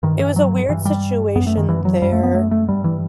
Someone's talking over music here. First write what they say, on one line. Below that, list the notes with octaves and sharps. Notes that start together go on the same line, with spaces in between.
it was a weird situation there
G2 D#3
E3
F#3
G2 E3
G3
F#2 B3
A3
D#3
E3
F#3
F#2 G3
A3
B3
A3
A3
G2 G3
E3